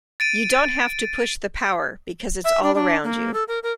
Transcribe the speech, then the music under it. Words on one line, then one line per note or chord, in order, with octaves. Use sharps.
You don't have to push the power, because it's all around you.
A6 D7 D#7
E5
D4
D4
A#3
A4
A#4
A#4